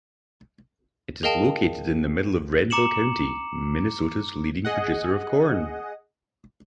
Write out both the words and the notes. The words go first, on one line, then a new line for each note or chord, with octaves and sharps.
It is located in the middle of Renville County, Minnesota's leading producer of corn.
G#4 A#4 D#5 F5 G5 A5
A#5 D6 C#7 E7 F#7
G#4 D#5 F#5